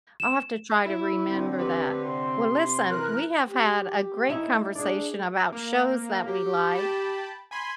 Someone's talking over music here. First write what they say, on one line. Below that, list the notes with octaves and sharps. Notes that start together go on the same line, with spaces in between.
I'll have to try to remember that. Well, listen, we have had a great conversation about shows that we like,
E7
E4
D3 C4
G4 B4
C3 C6
E3 A#4 F#6
G4
C#4 D#4 E4
D4 G#4 D5
A#3
G4
G5 A5 B5
G#5 B5 C6